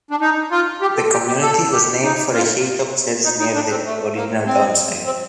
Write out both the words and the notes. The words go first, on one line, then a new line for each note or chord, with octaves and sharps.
The community was named for a hilltop church near the original townsite.
D4
D#4
F4
G4
A4
G4
G4
A4
G4
D#4
F4
D#4
D#4
D4
C4
A3
A#3
C4
C4